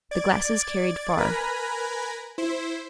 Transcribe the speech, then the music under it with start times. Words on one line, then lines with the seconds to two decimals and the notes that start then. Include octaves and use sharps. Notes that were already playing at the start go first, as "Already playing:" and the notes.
The glasses carried far.
0.11 D5 G#6 A6 D7
1.17 A#4 B4 G#5 A#5 B5
2.38 E4 C5